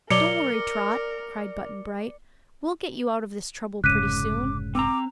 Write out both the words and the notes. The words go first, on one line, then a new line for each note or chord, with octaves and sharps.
"Don't worry, Trot," cried Button-Bright; "we'll get you out of this trouble pretty soon."
B2 F#3 A#4 D5 C#7 F7 G7
F1 G#2 C#3 D6 F#6 B6 D#7
C4 A#5 D6